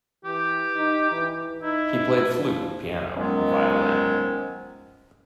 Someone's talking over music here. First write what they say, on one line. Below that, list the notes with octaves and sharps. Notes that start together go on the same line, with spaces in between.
He played flute, piano, and violin.
E3 G4
D#4
E3
D#4 E4
F3
D#3 F3 F#3 G#3 B3 C#4